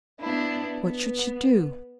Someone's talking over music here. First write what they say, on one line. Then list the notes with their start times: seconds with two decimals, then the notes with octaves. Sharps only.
What should she do?
0.20 B3 D4 E4
0.83 B3